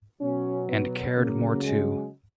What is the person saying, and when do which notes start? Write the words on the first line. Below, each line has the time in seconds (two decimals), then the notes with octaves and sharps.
And cared more too.
0.21 B2 F#3 C#4
0.68 B3
1.16 C#3 F#3 A#3
1.63 G#3